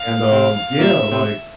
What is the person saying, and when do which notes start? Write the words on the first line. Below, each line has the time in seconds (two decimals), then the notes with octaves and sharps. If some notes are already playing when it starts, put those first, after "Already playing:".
and, um Yeah, like,
Already playing: F5
0.32 C3 C4
0.79 A#2 A#3 E5
1.12 C3 C4